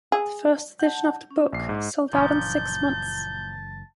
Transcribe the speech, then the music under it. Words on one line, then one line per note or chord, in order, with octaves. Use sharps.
The first edition of the book sold out in six months.
G#4
F#5 A5 G6
C#4
A#1 D6 C7
G#2
F#1 A#2 E3 F3 C#4 A5 G6